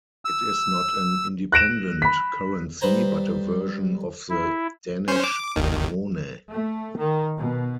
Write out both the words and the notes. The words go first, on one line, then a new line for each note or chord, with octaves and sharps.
It is not an independent currency but a version of the Danish krone.
E6
F#6 A#6 D7 E7
B5 B6
G2 B4 C5 A#5
E4
C#4 C5
D6
G1 D#2 D#3
A3
D#3
B2